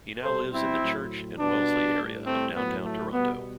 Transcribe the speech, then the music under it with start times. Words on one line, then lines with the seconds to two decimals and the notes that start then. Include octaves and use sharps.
He now lives in the Church and Wellesley area of downtown Toronto.
0.23 B2 G3 A4 C5
0.52 C4 E4
0.81 A2 F#3
1.39 B2 G3 B3 D4
1.97 A2 G3
2.26 A3 C4
2.54 A2 F#3 B3
2.84 A3
3.12 B2 G3 B3